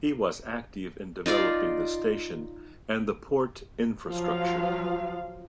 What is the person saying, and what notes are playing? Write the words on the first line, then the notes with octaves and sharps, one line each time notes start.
He was active in developing the station and the port infrastructure.
D#4 F4 D5 F5
F3 F#3 F4 F5